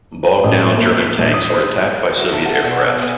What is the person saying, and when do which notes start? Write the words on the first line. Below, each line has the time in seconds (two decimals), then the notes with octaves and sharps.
Bogged down German tanks were attacked by Soviet aircraft.
0.23 B4
0.44 A1
0.63 A2
0.78 A#3
1.00 B6
1.19 A#1
1.34 D#6
1.50 C5
2.17 F#3 A3 D#4
2.33 A#3 E5 A5
2.45 F#5
2.64 B2 B4 D5 E5 F#5
2.77 F#6 G#6
3.01 B3 E4 G#4